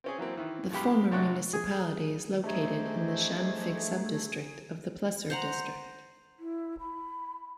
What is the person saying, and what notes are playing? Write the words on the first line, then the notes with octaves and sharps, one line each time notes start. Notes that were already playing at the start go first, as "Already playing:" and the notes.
The former municipality is located in the Schanfigg sub-district of the Plessur district.
C4 C#4 G#4
E3 F#3 A#3 C4
D#3 E3
G2 B2 G#3 G4 B5
F2 C3 D4 F#4 C#5 F#6
G#4
A3 D4 G4 G#4 C5 D#5 E5 A#5
C5 F#5 A#5
E4
B5